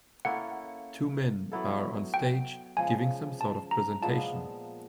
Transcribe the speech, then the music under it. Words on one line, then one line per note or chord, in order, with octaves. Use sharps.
Two men are on stage giving some sort of presentation.
A#3 C#4 E4 A4 F#5
F#3 B3 E4 A4
G5
C#3 F3 G#3 G#5
A5
A#5
A#2 F3 G#3 B3 A5